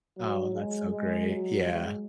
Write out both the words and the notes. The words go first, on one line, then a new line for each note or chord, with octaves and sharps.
Oh, that's so great. Yeah.
F#3
G#3
G#3
F#3
G#3